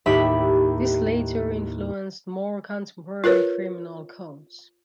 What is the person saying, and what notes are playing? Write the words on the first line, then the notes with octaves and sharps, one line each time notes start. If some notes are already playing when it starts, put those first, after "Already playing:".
This later influenced more contemporary criminal codes.
D#2 A2 D#4 G4 E5 B5
F4 A#4 B4 C#5